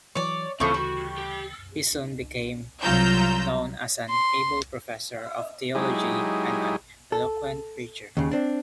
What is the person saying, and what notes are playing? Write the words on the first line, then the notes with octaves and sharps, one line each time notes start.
He soon became known as an able professor of theology and an eloquent preacher.
E3 F#3 C#5 D5
D2 A2 C#3 E3 F3 C4 A5 C#6
G3 F#4
G4
C2 F#3 F4 A#5 E6 G6
C6
F#3 G#3 D#4 E4 G4 G#4
A4
D#2 C#3
C4 D4